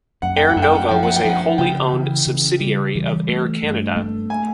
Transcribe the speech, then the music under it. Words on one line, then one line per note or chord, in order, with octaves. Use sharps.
Air Nova was a wholly owned subsidiary of Air Canada.
F#2 F#5
G5
F#5
F#2
G5
F#5
F3 G5
F#5
G5
F3 F#5
C#3 G5
E3
C#3
G3
E3
A3
G2
A3
G#5